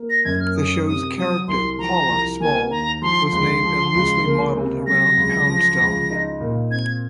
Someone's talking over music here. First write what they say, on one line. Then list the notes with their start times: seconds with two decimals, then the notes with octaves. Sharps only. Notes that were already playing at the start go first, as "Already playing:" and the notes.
The show's character, Paula Small, was named and loosely modeled around Poundstone.
Already playing: A#3
0.10 A#6
0.24 F#2 G#6
0.40 F6
0.55 C#4 D#6
0.86 C3 D#6
1.17 F#3 D#6
1.48 C2 C6
1.78 F3 A#5
2.09 C2
2.40 A#3 G#5
2.71 D#2 A#5
3.02 F3 C6
3.32 C#2 C6
3.63 F3
3.95 C#2
4.25 A#3
4.56 C3
4.86 F#3 A#6
5.17 C#2
5.48 F3
5.79 C#2
6.09 D#4
6.40 A#2
6.71 C4 G#6